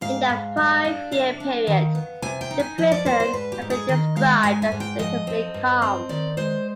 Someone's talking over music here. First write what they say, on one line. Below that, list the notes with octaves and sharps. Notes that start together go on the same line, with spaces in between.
In that five-year period, the prison had been described as relatively calm.
G#2 F5
G#2
G3
D4
C3 F5
D4
D#3
B3
C3 G#5
G5
D#4
G#5
F3 D#5
D5
B3 C5
C5
G#2 B4
G4
G#2
G#4
D#3 D#5
G#3 F5
G#2 G#5
G#5
G#2
G5
F3 D#5
C4
G2
C4
D#3 D5
G#3 C5